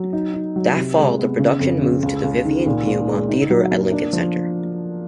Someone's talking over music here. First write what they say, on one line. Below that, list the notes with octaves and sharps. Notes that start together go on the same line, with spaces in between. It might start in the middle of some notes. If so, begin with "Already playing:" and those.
That fall, the production moved to the Vivian Beaumont Theater at Lincoln Center.
Already playing: F#3
D#4
D#4
F#3
C3
G#3
B3
C#3
F2
C#3
C#2
C#2
D#3
A#2
A#2
G#3
D#4
F#3
A#3
D4
F3